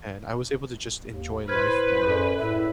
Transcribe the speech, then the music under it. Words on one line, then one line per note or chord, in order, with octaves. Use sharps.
and I was able to just enjoy life more
D#2
A2 B4 C5 F6 G#6 B6
F#2 G#4 A4 D5
A2 E5